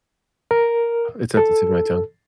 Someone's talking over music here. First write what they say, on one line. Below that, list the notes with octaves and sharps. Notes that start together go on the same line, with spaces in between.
it's at the tip of my tongue.
A#4
A4